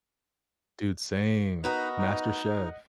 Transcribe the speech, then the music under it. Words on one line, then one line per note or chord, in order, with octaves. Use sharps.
Dude, same. MasterChef.
B3 D#4 F#4 A#4 B4 D#5
D#4
D#5 F#5